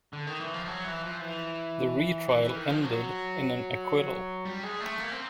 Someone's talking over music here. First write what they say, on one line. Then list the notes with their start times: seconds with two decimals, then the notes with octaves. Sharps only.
The retrial ended in an acquittal.
0.13 D3
0.27 D#3
0.40 E3
0.54 F3
0.67 F#3
0.84 E3
1.03 F3
1.21 E3
2.29 E3
2.42 E3
2.56 D#3
2.69 F3
2.83 F#3
4.45 G3
4.63 G#3
4.80 A3
4.99 A#3
5.12 C4